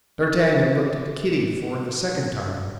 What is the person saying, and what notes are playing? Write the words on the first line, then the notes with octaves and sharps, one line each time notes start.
D'Artagnan looked at Kitty for the second time.
A#4 C#6 A6